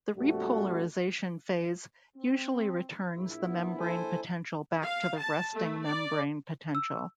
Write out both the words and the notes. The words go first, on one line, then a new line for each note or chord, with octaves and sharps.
The repolarization phase usually returns the membrane potential back to the resting membrane potential.
A#1 F2 G3 A3 F#4
C4
A#1 E4
B3
A4 C5 G#5
F5
A5
A3
D5
E6